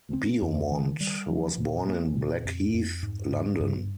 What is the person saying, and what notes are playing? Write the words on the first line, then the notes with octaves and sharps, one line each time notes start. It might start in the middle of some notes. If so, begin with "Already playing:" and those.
Beaumont was born in Blackheath, London.
C4
F2
D#3
G3
F3
A#2
A#3
A#2
F2
F2
G#2
G#2
G2